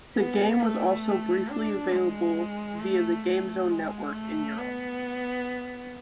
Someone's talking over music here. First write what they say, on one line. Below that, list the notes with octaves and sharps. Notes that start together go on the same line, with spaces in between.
The game was also briefly available via the Gamezone network in Europe.
B3
A3
D4
G#3
A3
A3
G#3
A3
B3